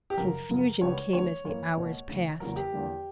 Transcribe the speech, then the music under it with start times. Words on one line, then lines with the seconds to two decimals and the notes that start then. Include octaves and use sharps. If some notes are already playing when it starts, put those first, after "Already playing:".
Confusion came as the hours passed.
0.10 G4
0.17 F#2 C#3 F#3 A#4
0.49 F#2 C#3 F#3 B3
0.81 C#2 C#3 G3 B3 C#5
1.13 D2 D3 F#3 B3 C#5
1.44 F#2 E3 A#3 C#5
1.77 C#2 B2 A#3
2.09 D2 C#3 E3
2.40 E2 C#3 F#3 A#3 A#4
2.56 G4
2.72 E2 D3 G3 A#3